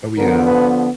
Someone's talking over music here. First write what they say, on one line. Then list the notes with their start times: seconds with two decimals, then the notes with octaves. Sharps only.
Oh, yeah.
0.17 D3 F3 B3 A#4
0.47 B4